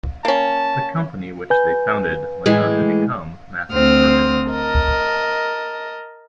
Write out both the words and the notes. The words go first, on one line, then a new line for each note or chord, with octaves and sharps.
The company which they founded went on to become Massey Ferguson.
A#3 C#4 A5
B4 G#5 G6
A2 E3 G#3
D2 C4 C5 D#6 F6
A#4 D#5 A5